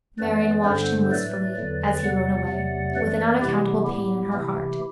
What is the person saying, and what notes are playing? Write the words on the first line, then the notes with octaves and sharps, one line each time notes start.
Marian watched him wistfully as he rode away, with an unaccountable pain in her heart.
F#2 E3 B3 B4 D5
G2 D3 G3 B3 A4 C5
A2 F#3 A3 B4 D5
E2 D3 F#3
E2 C3 G3 D5 F#5
E2 C3 F#3 A3
F#2 E3 A3 B4 D5
C3 E3 G3 B3 E4 G4
A2 G3 B3 E4 G4
C3 E3 A3 E4 G4